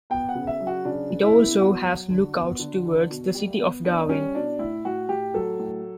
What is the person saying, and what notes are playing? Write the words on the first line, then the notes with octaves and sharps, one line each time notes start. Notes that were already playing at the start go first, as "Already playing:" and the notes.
It also has lookouts towards the city of Darwin.
B3 G5
F#5
C#3
E5
F#3
F#4
C#3 D4
C#3
E4
B3
B3 F#4
F#3
D3
B3
D3
D3
B2
G3
B3
B3 D4
G3 C#4
B2 D4
A2 E4
A2 F#4
A2 G4
F#3 A4
A2